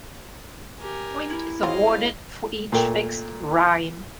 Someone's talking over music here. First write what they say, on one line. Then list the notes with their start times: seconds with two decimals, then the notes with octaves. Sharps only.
A point is awarded for each fixed rhyme.
0.81 G4 A#4 G#5
1.30 E4
1.63 F#3 C4 F4 G#4 D#5 F5
2.72 A#2 A3 G5